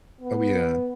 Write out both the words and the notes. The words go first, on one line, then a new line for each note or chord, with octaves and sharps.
Oh, yeah.
B3